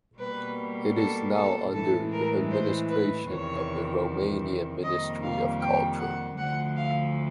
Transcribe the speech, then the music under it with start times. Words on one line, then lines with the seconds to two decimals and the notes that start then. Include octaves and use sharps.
It is now under the administration of the Romanian Ministry of Culture.
0.19 B2 G3 A#3 B4
0.96 A4
1.35 A4
1.73 A2 E3 G#3 A4
2.12 A#4
2.51 C5
2.90 B4
3.28 E2 C3 D#3 C#5
4.83 F2 C3 D#3 G3 A#3 D#5
5.23 F5
5.61 G5
5.99 F#5
6.38 D2 D3 F3 A3 F#5
6.77 F5